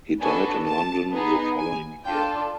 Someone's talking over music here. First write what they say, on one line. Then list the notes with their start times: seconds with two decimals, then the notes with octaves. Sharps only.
He died in London the following year.
0.20 B3 D4 F#4 A4 G#5
0.66 A5
1.12 B3 D#4 G#4
1.58 G#5
2.05 D4 F4 A4 G5